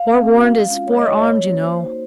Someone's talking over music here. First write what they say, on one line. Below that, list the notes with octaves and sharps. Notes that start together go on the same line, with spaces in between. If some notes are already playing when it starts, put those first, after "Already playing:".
Forewarned is forearmed, you know.
Already playing: F5
C4
D#4 F#4
G#3
C#4 F4
G#3 C#5
D#5
D#4 F#4 C#5
A#3
C#4 F#4
A#3 C5
D#4 F#4